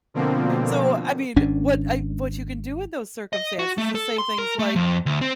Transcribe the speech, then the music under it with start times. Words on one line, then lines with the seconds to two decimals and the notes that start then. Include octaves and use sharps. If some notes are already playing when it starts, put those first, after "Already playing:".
so, I mean, what I what you can do in those circumstances is say things like,
0.14 B2 D3 F3 A#3 C4
1.36 G#1 C#4 D4
3.33 D#5
3.59 F#4
3.78 A3
3.95 A4
4.18 C6
4.39 A#4
4.59 A3
4.76 F2
5.06 D2
5.21 C4